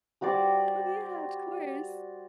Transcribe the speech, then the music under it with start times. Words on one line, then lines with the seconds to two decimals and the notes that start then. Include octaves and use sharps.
Oh, yeah, of course.
0.21 G3 F#4 C5 D5